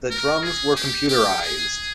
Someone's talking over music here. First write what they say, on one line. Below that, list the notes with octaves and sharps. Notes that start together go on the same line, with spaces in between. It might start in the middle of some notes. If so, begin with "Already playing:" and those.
The drums were computerised.
A#4
G#4
G4
G4
G#4